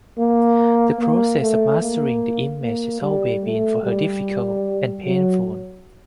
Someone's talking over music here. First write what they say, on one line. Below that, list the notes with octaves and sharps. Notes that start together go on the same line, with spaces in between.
The process of mastering the image has always been for her difficult and painful.
A#3
A#3
A3
A#3
A#3
G3
A3
G3
F#3